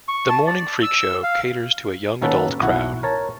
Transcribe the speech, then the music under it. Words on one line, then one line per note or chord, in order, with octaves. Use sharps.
The Morning Freak Show caters to a young adult crowd.
C#6
A5
D5
E6
F5
D#3 A#3 C#4 F#4 A4 B4
B1 E4 F#4 F#5
A#4 C#5 A5